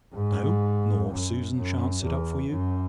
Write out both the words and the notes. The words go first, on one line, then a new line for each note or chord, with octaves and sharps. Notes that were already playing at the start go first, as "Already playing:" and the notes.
No: nor Susan shan't sit up for you.
G#2
F#2
F#2
E2
F#2